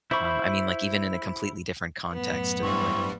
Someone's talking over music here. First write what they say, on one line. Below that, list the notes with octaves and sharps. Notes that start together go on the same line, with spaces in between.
Um, I mean, like, even in a completely different context of, like
E4 C5 B5 C#6
F#2 A2 B3
G2 E3 G3 C4 C#6